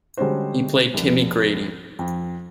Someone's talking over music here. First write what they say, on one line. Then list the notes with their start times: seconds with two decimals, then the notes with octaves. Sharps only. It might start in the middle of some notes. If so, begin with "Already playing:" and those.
He played Timmy Grady.
0.17 D3 G3 G#3 C#4 F#4 C5
0.94 F1 C2
1.99 F2